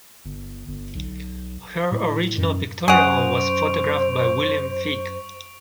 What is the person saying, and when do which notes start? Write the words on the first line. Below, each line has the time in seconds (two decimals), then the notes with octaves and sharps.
Her original pictorial was photographed by William Figge.
0.25 G1
0.68 G1
0.95 B1
1.91 A2
2.38 F#2
2.88 F#2 G#4 C5 F#5 C#6 D7 F7